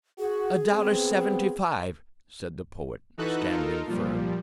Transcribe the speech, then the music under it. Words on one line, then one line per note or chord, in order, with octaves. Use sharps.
"A dollar seventy-five," said the poet, standing firm.
F#4 G#4
B3 C4
E3 D#4 F#4 A4 B4 F#6
D#4 F4 A4 A#4
A#2 F3 G3